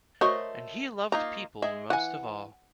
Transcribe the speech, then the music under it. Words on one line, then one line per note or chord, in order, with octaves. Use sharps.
And he loved people most of all.
A3 F#4 A#4 C5 C#5 D#5
A#3 D#4 F4 A#5
G#3 G#4 E5
E3 F#5 G#5